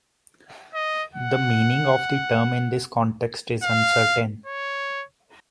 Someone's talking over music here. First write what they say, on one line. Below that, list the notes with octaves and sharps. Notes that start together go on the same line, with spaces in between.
The meaning of the term in this context is uncertain.
D#5
F#5
F5
C#5